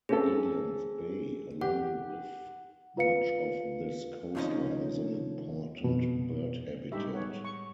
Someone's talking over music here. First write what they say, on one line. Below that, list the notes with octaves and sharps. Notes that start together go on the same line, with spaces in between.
Eland's Bay along with much of this coastline is an "important" bird habitat.
C4 C#4 G#4 A4
G4 F#5
F4 B4 F5 C#7
D#2 C3 F3 C#4 D#4 D#5
F2 B2
A2 G3 G#3 D#4 G4 E5
G#4 C#5 F#5
C#6